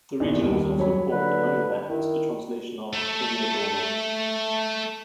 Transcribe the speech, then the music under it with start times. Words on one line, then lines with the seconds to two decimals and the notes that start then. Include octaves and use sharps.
The region was also called the Lone-lands, a translation of "Eriador".
0.20 A#1 E2 D#3
0.42 D#2 G3
0.78 F#3 C#5 B5
1.12 D3 B4
1.89 D#3 E4
2.93 A3 A4